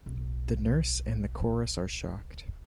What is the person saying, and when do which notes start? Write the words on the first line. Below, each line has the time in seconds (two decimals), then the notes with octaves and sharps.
The nurse and the chorus are shocked.
0.06 D1 B1